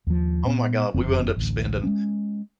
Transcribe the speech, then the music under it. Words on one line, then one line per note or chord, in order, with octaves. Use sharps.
Oh my god. We wound up spending
D#2 F3
A#2 B3
F#1 F2 D3 C4
A1 D2
G#3 A3 C#4